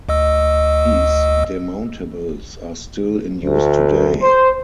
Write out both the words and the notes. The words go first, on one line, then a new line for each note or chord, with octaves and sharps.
These demountables are still in use today.
D2 D#5 E6
D2
C5